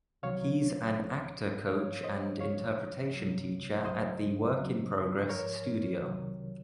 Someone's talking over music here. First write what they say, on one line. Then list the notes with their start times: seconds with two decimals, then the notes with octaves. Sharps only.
He’s an actor coach and an interpretation teacher at the Work in Progress studio.
0.22 C2 C3 D#3 F#3 C#5 F5
0.95 C2 A#2 F3
1.68 G#2 F3 C#5 F5
2.03 C5 D#5
2.40 C#2 C#3 F3 C#5 F5
3.13 C2 C3 F#3
3.84 C#2 C#3 F#3 C5 D#5
4.57 D#2 C#3 F#3
5.29 G#2 F3 A#4 C#5
6.03 C2 C3 D#3 F#3